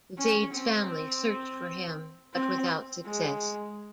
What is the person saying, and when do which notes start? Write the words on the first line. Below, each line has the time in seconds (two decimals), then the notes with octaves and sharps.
Zayd's family searched for him, but without success.
0.18 C#4
0.54 C4
2.34 C4
3.06 G#3